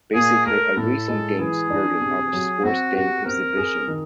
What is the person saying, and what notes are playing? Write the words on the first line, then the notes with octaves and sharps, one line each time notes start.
Basically a racing game's version of a sport's game 'exhibition.
A#2 G#4
A3 A#4
A2 A4
G#3
E3 G#4
D4
C3
F#3
C4 F#4
F#4 G4
C4 A#4
G#4
D#3